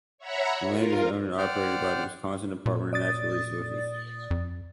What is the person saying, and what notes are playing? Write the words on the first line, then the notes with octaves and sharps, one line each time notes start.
The land is owned and operated by the Wisconsin Department of Natural Resources.
C#5 E5 F#5 A#5 B5 C#6
F4 A#4
C5 D5 F#5 G5 F6
A#2
D5 D#6 A6
F2